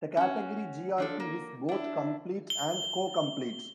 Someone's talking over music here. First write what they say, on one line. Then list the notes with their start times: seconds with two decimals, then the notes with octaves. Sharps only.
The category Grp is both complete and co-complete.
0.17 C#4 F#4
0.98 F3 D4 A4
1.20 A#3
1.69 D4 E4
2.50 G7